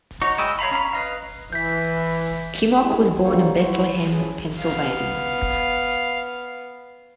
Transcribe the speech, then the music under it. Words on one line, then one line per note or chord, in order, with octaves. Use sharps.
Kimock was born in Bethlehem, Pennsylvania.
D#4 F#4 C#5
G#3 E4 D#5 G5
C#5 F5 A#5 B5
C#4 F5 A#5 B5
B4 D#5 F5
E3 G6 B6
G3 G#3 D4 E4 G#4
D3 G3 A#3 F4 C5 C#5
E4 F#4 B4 C5
F3 C#4 E4 G#4
B3 F5